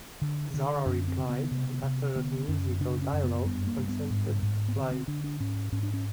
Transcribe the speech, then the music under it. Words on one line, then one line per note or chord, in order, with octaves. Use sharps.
Zara replied, and, after a musical dialogue, consented to fly.
D3
D3
F#2 C#4
C4
C#3
B3
C3
C3
D3 B3
F#2 C#4
C#3 D4
C#4
F#2
B3
G2 B3
A#3
G2
B3
G#2
G#2
B3
D3 C4
C4
D3 D4
D4
G#2 C#4
G#2 C#4
D4
C#4